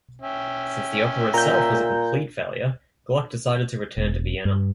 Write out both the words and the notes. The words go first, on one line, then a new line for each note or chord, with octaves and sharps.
Since the opera itself was a complete failure, Gluck decided to return to Vienna.
C#4 E5 G5
A#2 A#5 G6
E1
G2